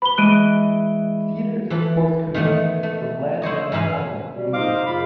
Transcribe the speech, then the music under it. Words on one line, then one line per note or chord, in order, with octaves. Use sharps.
The theatre is at Porthcurno, from Land's End in Cornwall, England.
B4 B5 G7
E3 G#3 F#6 D7 D#7
E3 A4 B4
D#3 E3 A3 B3
A3
E4 C5 C#5 D#5
G#2 E3 E4 B4 F5 G#5
B2 G3
D#4 C5 D#5 F5 D6
F#2 C#3 F4 B5